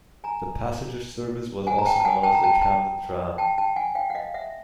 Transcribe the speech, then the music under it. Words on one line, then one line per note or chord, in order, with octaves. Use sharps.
The passenger service was also known as the 'Camden Tram'.
G#5 A#5
F#5 G#5
A#5
G5 A5
A5
F#5 G#5
G5 A5
A#5
G5 A5
G5 A5
G5 A5
G5 A5
F#5 G#5
F5 G5
F#5
D#5 F5
E5 F#5